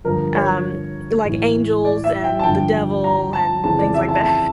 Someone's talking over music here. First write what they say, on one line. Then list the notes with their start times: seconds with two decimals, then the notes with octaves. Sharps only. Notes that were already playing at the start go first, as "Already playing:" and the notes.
um, like angels and the devil and things like that.
0.05 G2 D3 F3 A#4
0.35 C#5
1.24 A2 E3
1.85 D5
2.04 E5
2.24 G5
2.39 A5
2.43 G2 D3 F3 G5
3.04 A#5
3.33 A5
3.64 F2 C#3 E3 A5
3.79 D5
3.94 E5
4.09 A5
4.24 A5